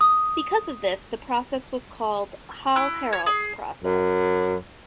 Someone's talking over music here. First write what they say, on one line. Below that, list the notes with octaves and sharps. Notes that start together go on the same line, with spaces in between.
Because of this, the process was called the Hall-Heroult process.
D#6
E4 F#6
C#5
G#4
F#2